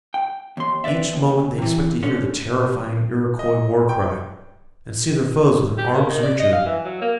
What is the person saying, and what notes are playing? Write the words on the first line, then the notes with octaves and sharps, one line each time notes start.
Each moment they expected to hear the terrifying Iroquois war-cry, and see their foes within arm's reach of them.
G5
D#2 C6
C4 B4 C5 D5 E5
D#2
C3 E3
D3 C#4
D#5
G5
G4
A#3
D#3
D5
D#5
F5
E3
F#3
A#3